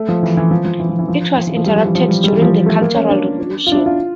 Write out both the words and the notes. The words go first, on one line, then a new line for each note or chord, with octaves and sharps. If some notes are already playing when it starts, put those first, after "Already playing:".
It was interrupted during the Cultural Revolution.
Already playing: A3
F3
E3
E3
F3
F3
E3
F3
E3
F3
F3
E3
F3
G3
F3
E3
F3
G3
G3
E3
F3
G3
A3
A#3
C#4
D4
F4
D4
E4
F4